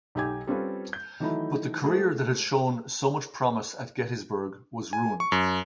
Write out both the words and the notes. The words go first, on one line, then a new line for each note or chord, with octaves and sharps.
But the career that had shown so much promise at Gettysburg was ruined.
B1 D#4 G4 G#5 G#6
G3 C4 C#4 F4 A4 B4
G6
D#3 E3 F#3 A3 D#4 E4
G#3 A3 F#4 G#4 C5
G#5
C#6
F#2